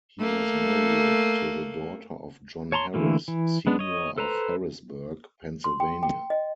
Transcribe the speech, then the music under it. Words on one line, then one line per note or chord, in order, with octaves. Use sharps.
He was married to the daughter of John Harris, Senior of Harrisburg, Pennsylvania.
A3 A#3
C#5 A5 A#5 C6
D3 E3 A3 A#3
E3
G#3 B3 D4
C#5 D#5
A4 B4 C5 A#5
C6
G5
G5
D#5